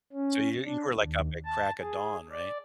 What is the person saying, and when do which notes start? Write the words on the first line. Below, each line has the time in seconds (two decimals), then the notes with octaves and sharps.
So, you you were like up at the crack of dawn, right?
0.13 C#4
0.65 D4
0.98 D#2
1.45 A5
1.80 G#4
2.32 D5